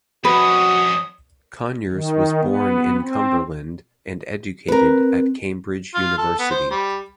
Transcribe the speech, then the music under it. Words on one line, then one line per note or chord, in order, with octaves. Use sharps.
Conyers was born in Cumberland and educated at Cambridge University.
F2 C#4 F#4 B4 D#6
D#3
B3
C4
C4 A#4 B4
F4
A4
B3
C5
G3